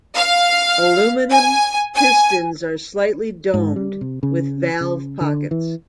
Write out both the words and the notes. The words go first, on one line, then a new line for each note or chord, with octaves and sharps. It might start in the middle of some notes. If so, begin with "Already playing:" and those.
Aluminum pistons are slightly domed with valve pockets.
F5
G#5
G#5
G#2
G3
C3
C#3
C#3
D3
E3